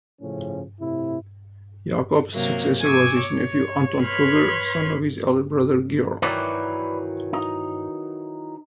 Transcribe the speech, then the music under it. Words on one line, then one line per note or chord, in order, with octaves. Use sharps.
Jakob's successor was his nephew Anton Fugger, son of his elder brother Georg.
A2 C#3 F3 C#4
A2 C3 E4
C3 F#3 A#3
G#5 C#6 D6 E6 G#6
C#5
B4 C#5 B5 C6 F6 G#6
D#3 E3 F#3 B4 D5
D#4